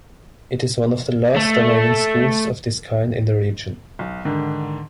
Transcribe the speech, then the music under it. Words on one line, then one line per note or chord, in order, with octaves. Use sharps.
It is one of the last remaining schools of this kind in the region.
A3
B1
G#2 D3 D#3